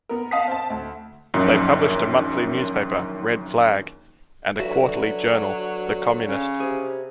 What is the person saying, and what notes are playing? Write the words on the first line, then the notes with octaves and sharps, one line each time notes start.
They published a monthly newspaper, "Red Flag", and a quarterly journal, "The Communist".
B3 A#4
D#5 F5 F#5 A5 D#6 B6
C4 A5
D2
A#1 F#2 D#3
D3 F#3 F#4 B4 E5
C#3
C3 G#4